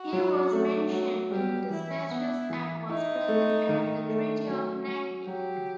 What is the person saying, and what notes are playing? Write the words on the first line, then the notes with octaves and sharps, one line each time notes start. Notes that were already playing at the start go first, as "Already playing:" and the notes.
He was mentioned in despatches and was present at the Treaty of Nanking.
Already playing: F#4
F#3
A3
F#3
G3 G4
E3 E4
B3 E4
E3
D#4 E4
A3
D#3
A3
F#3
F#3
F#3 G4